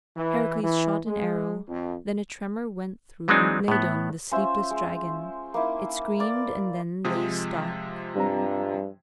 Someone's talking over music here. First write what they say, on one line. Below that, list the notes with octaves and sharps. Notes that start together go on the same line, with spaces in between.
Heracles shot an arrow; then a tremor went through Ladon, the sleepless dragon; it screamed and then lay stark.
E3
E3
G#3
F2
E3 F#3 G#3 C4 D4 D#4
A2 B3
C#4 F4 C5 E5
G#3
A#3 D#4 E4
A#4 D5
C3 F3 G#3 D#6
G2 G3 C4 A#5